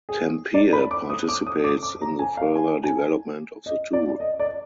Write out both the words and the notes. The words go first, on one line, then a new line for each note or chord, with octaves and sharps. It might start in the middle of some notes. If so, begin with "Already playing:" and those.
Tampere participates in the further development of the tool.
G#4
D5
B5
D6
D#6
D6
D#6
D6
D6
A#5
G#5
F5
G#5
G#5
D#5
D5
D#5
D5